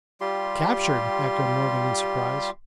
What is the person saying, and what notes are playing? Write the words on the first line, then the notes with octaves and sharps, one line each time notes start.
"Captured?" echoed Morgan, in surprise.
G3 F4 G4 C6